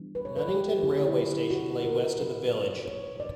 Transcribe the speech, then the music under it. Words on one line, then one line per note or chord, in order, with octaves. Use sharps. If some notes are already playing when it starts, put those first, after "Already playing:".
Nunnington railway station lay west of the village.
Already playing: E3 G3 B3 D4
B4
C#5
B4
G4
D3 F#3 A#3 E4
E4
F#4
A#4
B2 F#3 B3 B4
C#5
D5